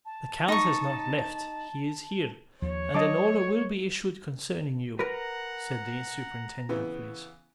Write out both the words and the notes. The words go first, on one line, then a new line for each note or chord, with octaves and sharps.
"The count has not left, he is here, and an order will be issued concerning you," said the superintendent of police.
A5
D#4 C#6
D#2 F3 C#5
F#3 D#5 A5 D6
A#4 B4 F#5 A#5
C#3 E3 B3